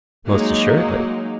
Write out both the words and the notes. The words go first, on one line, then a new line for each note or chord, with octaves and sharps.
Most assuredly.
F#3 G#3 A#3 D#4